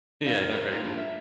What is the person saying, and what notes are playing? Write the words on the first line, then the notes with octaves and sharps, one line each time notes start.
Yeah, I know, right?
D#4 D5 F5
A#4
A#4 C5
A#3 C4 D#4 F4 G4
A#3 D4 F4 A#4
E5